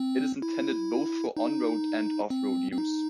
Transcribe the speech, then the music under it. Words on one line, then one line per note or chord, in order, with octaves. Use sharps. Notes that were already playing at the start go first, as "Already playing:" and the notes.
It is intended both for on-road and off-road use.
Already playing: C4
E4
D#4
C4
C4
D#4